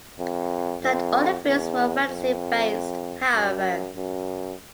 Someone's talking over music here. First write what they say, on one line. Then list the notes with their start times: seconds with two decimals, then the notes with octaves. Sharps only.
Not all the films were fantasy-based, however.
0.19 F2
0.81 F2
1.45 E2
2.07 F2
3.34 F#2
3.96 F#2